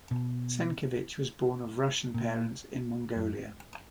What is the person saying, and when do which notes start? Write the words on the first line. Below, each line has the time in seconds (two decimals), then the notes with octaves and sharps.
Senkevich was born of Russian parents in Mongolia.
0.11 B2
2.14 A#2
3.16 F#2